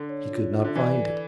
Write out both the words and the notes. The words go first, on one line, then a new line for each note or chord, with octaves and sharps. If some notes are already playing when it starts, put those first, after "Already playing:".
He could not find it.
Already playing: D3
C#5
F4
E5
D3
E3 D5
A4